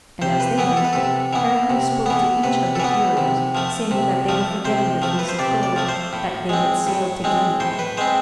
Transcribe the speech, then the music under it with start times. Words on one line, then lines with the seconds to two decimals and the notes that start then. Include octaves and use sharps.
And as they went, Heracles spoke to each of the heroes, saying that they were forgetting the Fleece of Gold that they had sailed to gain.
0.22 C3 C5
0.40 B4
0.58 E3 B3 B4
0.77 A4
0.85 B4
0.93 C3 A4
1.33 E3 B3
1.70 C3
2.06 E3 B3
2.43 C3 B4
2.75 A4
2.80 E3 B3 B4
3.17 C3
3.55 F3 A3
3.91 C3
4.29 F3 A3
4.65 C3 C5
5.02 F3 A3
5.19 B4
5.29 C5
5.39 C3 D5
5.63 D5
5.76 F3 A3
5.89 C5
6.13 A2
6.49 G#3 C4
6.87 A2
7.24 G#3 C4
7.60 A2 C5
7.79 B4
7.97 G#3 C4 C5